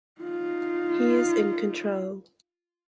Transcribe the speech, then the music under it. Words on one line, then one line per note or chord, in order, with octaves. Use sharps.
He is in control.
D#4 F4